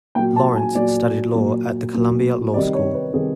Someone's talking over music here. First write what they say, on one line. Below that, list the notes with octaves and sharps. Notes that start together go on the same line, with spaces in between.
Lawrence studied law at the Columbia Law School.
A#2 F#3 G5
A5
G#5
A#2 F#3 D5
A#2 F#3
A#2 F#3
C3 D#3 G3 D5
C#5
B4
C3 D#3 G3 G#4